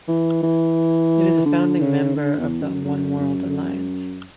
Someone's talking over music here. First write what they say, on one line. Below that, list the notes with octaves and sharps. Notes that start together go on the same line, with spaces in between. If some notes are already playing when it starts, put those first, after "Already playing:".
It is a founding member of the Oneworld alliance.
E3
E3
D3
C#3
D3
E2
F#2
F#2
F#2